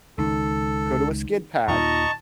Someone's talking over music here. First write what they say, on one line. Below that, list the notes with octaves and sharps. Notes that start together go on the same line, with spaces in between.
go to a skid pad.
C#2 D#3 A4
D#2 A#2 D#3 D#5 A5 A#5 C#6